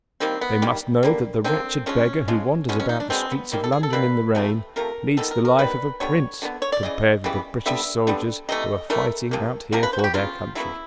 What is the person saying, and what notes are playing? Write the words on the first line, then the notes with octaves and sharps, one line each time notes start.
They must know that the wretched beggar who wanders about the streets of London in the rain, leads the life of a prince compared with the British soldiers who are fighting out here for their country.
D#3 G3 A#3 C4
B3
D#3 G3 A#3
D3 G3 A#3
D3 G3 A#3 C4
C#3 F3 G#3 C#4
C#3 F3 G#3
B2 G#3 B3 C#4
C#4
D#4
D4
B2 G#3 B3 C4
B3
D#3 G3 A#3 C4
A4
G#4
A4
D#3 G3 A#3 B4
C3 F3 A3
C3 F3 A3 A#4
D#3 G3 B3 A4
A#4
A#4
D#3 G3 B3 B4
D3 G3 B3 C#5
D3 G3 B3
C#5
D5
C#3 E3 D#5
C#3 E3 G3 B3
D3 G3 B3 E5
D3 G3 B3
C3 E3 A3 D#5
C3 E3 A3 A#4
C3 F3 A#3
C3 F3 A#3 A#4
B4
C5
F#4
G4
C#3 F#3 B3 F4
C#3 F#3 B3 E4